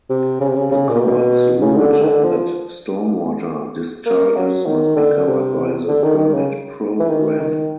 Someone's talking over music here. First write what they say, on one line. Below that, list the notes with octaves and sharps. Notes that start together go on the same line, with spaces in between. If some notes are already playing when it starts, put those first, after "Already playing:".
The courts ruled that stormwater discharges must be covered by the permit program.
C3
C#3
C3
C#3
C#3
A#2
B2
C#3
D3
D3
D#3
D3
F3
A#3
F#3
D#3
D3
C3
D3
D#3
D#3
C#3
E3
D#3
D#3